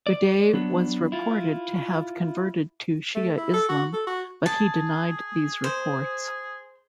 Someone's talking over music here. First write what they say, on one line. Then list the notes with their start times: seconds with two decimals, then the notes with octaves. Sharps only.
Uday was reported to have converted to Shia Islam, but he denied these reports.
0.07 D5
0.53 F#3 B3 D4
1.12 E4 F4
3.15 A3
3.37 E4
3.53 A4
3.69 F#4
3.93 A4
4.07 F#4
4.46 G#4 A5
5.64 C5